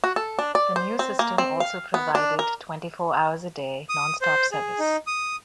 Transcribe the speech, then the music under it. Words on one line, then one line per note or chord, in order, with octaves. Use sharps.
The new system also provided twenty-four hours a day, nonstop service.
F#4
A4
D4
D5
C5
C4
A#3
C4
F5
B3
D4
A#4
D#6
C5
G#4
D#4
D#6